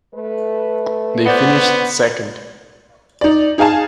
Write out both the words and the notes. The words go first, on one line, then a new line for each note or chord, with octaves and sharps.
They finished second.
A3 B4
B3 C5 D5 F#5
D#4 D5
D#4 G#4 F5 G#5 A5